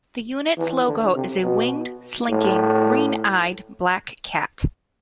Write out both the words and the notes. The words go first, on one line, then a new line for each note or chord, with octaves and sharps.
The Unit's logo is a winged, slinking, green-eyed, black cat.
E3
D3
C3
B2
A2